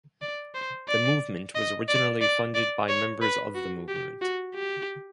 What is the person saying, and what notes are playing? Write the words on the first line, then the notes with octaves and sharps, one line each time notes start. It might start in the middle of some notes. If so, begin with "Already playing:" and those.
The movement was originally funded by members of the movement.
D5
C5
D5
D#5
D5
D5
D5
C#5
B4
F#4
G4
F#4
G4